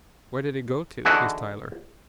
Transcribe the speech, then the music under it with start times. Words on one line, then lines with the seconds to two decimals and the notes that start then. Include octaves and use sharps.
"Where did he go to, Miss Tyler?"
1.05 D3 E3 D#4 E4 F#4 G#4